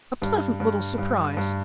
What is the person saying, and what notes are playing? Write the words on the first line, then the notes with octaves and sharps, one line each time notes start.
A pleasant little surprise.
G2
G2
G2
G2